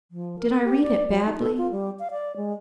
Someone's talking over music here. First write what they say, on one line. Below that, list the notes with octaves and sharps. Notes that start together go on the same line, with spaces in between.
Did I read it badly?
F3
A#4
G4
D5
F#3
D#4
A4
F4
G3
F5
D5
G#3